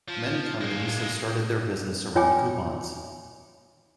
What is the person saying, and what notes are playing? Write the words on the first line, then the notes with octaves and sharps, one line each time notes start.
Many companies have started their business around coupons.
F3
G#3 A#3
F4 C#5 G5 G#5 D6